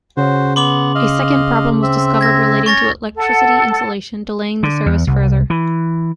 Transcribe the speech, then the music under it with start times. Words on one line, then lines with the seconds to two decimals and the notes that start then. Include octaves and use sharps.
A second problem was discovered relating to electricity insulation, delaying the service further.
0.17 C#3 F#4 C5
0.56 B3 C6 D6 F#7
0.95 D#5 F5
1.82 C4 E5
2.21 G#6 A#6
2.66 C#4 C#5 C#6 A6 A#6
3.16 A4 F#5
4.63 D3
4.86 E2
5.07 C2
5.50 E3